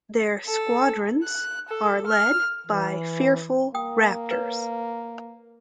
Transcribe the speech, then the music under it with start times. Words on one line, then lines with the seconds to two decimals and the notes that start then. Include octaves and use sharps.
Their squadrons are led by the fearful Raptors.
0.47 A4
1.24 F#6
1.68 A4
2.07 F6
2.67 E3
3.74 A#3 G5 D#6
4.31 B4 C#5